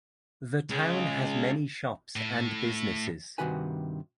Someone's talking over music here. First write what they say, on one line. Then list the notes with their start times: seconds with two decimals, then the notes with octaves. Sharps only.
The town has many shops and businesses.
0.70 C#3 G#3
2.16 A2
3.38 G2 C3 D#3 F#4 B4 G#5